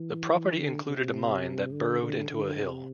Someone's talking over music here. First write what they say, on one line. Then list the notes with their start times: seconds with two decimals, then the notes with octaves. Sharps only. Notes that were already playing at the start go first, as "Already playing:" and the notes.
The property included a mine that burrowed into a hill.
Already playing: E3
0.57 D3
0.86 C3
1.72 D3
2.02 D3
2.30 D3
2.60 C3